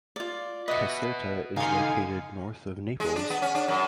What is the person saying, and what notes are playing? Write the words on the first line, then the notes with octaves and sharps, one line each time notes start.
Caserta is located north of Naples.
F4 D5
F#4 B4 D#5 E5
C#3 D#4 G4 A4 F5 G#5 C6
G#3
D4
B3
C#4
D4
F#2